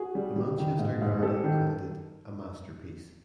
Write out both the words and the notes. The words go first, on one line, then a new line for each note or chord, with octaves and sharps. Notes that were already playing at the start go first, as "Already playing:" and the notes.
The Manchester Guardian called it "a masterpiece".
Already playing: F#4 G#4
G3
G3
D#3
G#2
G#2
G3 G4 A4
D#3